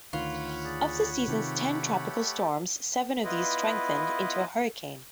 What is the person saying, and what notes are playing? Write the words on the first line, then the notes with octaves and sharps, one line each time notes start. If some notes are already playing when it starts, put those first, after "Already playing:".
Of the season's ten tropical storms, seven of those strengthened into a hurricane.
D2 D#3 F4 C#5 F#5 B5
G#4 D5
C3 D#3 A3 G4 A4
B3 E4 F4 B4 D#5